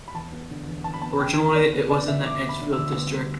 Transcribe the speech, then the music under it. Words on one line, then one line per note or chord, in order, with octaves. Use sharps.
Originally it was in the Edgefield District.
B5
E2 A5
B3
D3
E2
E2 A5
B5
B3 A5
D3 G5
E2
D2 D5
B3 B4
D3 D5
D2 E5
D2 D6
B3
B5
D3
E6
D2
B3
G3